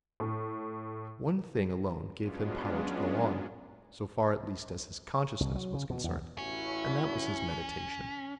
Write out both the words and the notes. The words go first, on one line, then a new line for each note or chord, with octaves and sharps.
One thing alone gave Him power to go on, so far at least as His consciousness was concerned, and that was His meditation.
A2
F#3 G#3 B3 C#4 D4 F4
C2
F#3
C#3
B2
E2
A1 C#4 E4 F#4